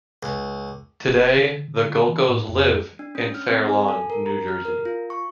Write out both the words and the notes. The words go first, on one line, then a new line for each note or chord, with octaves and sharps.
Today the Gulkos live in Fair Lawn, New Jersey.
C#2
E1
D3
D3
D3
E3
A2
F2
D4
C#4
F6
C4
G#5
A4
A#4
A#5
F6
A#4
F4
C#6